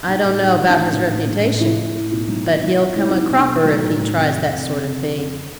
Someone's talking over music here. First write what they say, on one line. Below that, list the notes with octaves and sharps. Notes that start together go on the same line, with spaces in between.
I don't know about his reputation, but he'll come a cropper if he tries that sort of thing.'
A#1 D#4
A2 D#4
A2 D#4
A2 D#4
D4
A2
D#4
A#1
A2
A#1
A2
F3 E4
A2
A2
B1 E4
F#3 D#4
B1 D#4
F#3 E4
B1 F4
F#3 E4
E4
B1 D#4
B1
D4
B1
F#3 D#4
A2
F#3
C3
F2
C3
F2
C3
F3
F2